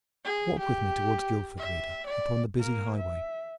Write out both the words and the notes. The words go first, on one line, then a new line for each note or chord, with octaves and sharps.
Walk with me toward Guildford, reader, upon the busy highway.
G#4
G4
E5
D5
A#3 A#4
E5